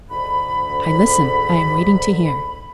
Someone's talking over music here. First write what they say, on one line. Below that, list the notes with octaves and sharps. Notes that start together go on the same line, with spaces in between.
"I listen--I am waiting to hear."
D2 G#2 B5